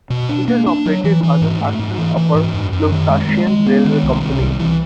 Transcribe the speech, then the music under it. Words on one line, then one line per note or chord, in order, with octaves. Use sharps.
It is operated by the Saxon-Upper Lusatian Railway Company.
B2
D4
A#3
D4
F#3
E3
E3
G#2
A3
G#2
E3
E3
G#2
F#2
F#2
D#3
G#3
G#3
G#3
B3
D#3
C2
C3
C2
E3